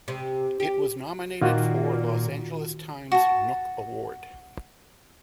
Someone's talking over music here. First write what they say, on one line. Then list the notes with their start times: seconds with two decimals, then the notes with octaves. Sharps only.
It was nominated for Los Angeles Times Nook Award.
0.08 C3
0.60 G4
1.41 A#2 D#3 F4 F#4
3.12 F#4 A5